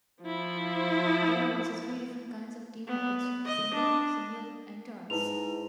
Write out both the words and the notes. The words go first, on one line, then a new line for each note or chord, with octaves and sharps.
There are also three different kinds of Team modes: Single, Simul, and Turns.
F3 E4
B3
D#5
D4
G#2 E4 B4 F7